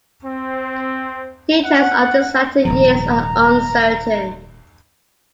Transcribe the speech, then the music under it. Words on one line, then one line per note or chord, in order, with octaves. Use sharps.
Details of his latter years are uncertain.
C4
F#5
D#1 G#2 F3 A#5